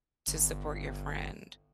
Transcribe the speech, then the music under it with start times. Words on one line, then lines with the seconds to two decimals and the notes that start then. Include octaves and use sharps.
to support your friend.
0.28 G1